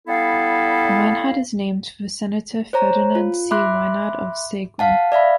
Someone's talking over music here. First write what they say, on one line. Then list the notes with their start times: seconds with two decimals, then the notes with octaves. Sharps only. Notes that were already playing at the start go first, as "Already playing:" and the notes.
Weinert is named for Senator Ferdinand C. Weinert of Seguin.
0.07 G3 B3 E4 A4 F5
2.73 C5 C#5 A#5
3.15 F4
3.51 E5 B5 C6 D6 F#6
4.79 F5 F#5 A5
5.12 D5 E5 F5 B5